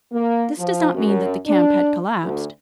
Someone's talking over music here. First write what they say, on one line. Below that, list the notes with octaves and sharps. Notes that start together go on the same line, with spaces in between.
This does not mean that the camp had collapsed.
A#3
F3
F#2
D4
D2